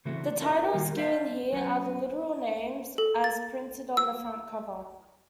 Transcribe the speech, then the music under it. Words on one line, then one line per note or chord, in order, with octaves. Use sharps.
The titles given here are the literal names as printed on the front cover.
C#3 E3 A3 C4 E4 F#4
D4 E4 F#4 A4 A#4 E5
D#3 G3 A#3 F4 A#4
C5 E5 F5 G5 A5
F#3 C#4 B4 F#5
A4
A6
E6